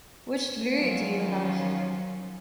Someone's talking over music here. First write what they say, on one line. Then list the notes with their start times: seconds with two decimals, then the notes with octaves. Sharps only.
Which degree do you have?
0.73 D#3 F3 F#3 C#4 F4